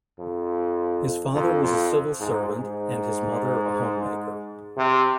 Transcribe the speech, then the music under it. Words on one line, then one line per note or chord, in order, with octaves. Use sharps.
His father was a civil servant and his mother, a homemaker.
F2
F2
F2
G#2
G#2
C3